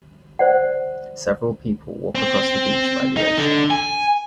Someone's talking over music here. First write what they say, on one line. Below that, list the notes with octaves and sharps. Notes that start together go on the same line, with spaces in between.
Several people walk across the beach by the ocean.
C5 D5 F#5
C4
D#4
D3
G#5